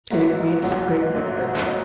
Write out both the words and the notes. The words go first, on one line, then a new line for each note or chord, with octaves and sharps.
It means "great winter".
A#1 G#2 F#3 E5
D#5
A#1 G#2 F#3 F#5
F#5
F#5
D#5
A#1 G#2 F#3 D#5
E5
F#5
E5
F#3 D#5